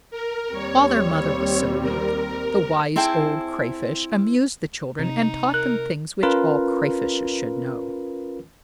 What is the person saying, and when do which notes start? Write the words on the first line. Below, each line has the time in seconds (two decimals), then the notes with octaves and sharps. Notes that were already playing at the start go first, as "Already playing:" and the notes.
While their mother was so weak, the Wise Old Crayfish amused the children, and taught them things which all Crayfishes should know.
0.11 A#4
0.52 D#2 G3 C4 C#5
1.80 A#4
2.96 C4 E4 G#4 G5 A5
4.99 C3 D#4
5.54 A#4 F#6
6.23 C#4 F4 A#4 B4